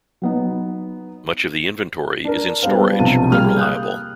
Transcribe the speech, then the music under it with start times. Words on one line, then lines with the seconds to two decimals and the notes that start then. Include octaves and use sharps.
Much of the inventory is in storage or unreliable.
0.22 F#3 B3 D#4
2.25 D4 A#4
2.63 G3 B3 D4 C5 F5
2.99 B1 C3 F3 A5 D#7
3.32 G3 A#3 G#4 F5 F6
3.57 D#6 F#6 G6